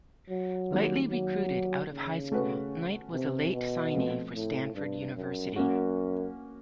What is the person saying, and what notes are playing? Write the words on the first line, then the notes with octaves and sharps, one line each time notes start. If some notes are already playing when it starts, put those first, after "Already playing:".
Lightly recruited out of high school, Knight was a late signee for Stanford University.
F#3
D#3 G3 A#3
F#3
C#3
A3 C#4 F#4 B4
C3
B2
F3 A3 C4
A2
G2
F#2
F#2 A#3 C#4 F#4